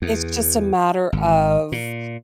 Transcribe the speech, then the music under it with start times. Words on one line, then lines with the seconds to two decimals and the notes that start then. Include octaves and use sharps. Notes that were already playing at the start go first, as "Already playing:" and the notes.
it's just a matter of,
0.02 E2
1.12 G#1
1.72 A#2